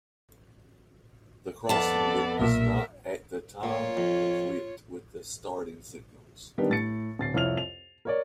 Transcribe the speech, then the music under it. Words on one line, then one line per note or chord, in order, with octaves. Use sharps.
The crossing loop was not at that time equipped with starting signals.
F2 B3 A4 D5 A5
B1 A#2 A#4 E5
A#2 F4 C#5
F2
D#3 G3 B3 D4 G4
A2 A6 C#7
D1 A6 C7
C2 F2 E4 C#5 F6 F7
F7
A#4 C#5 D5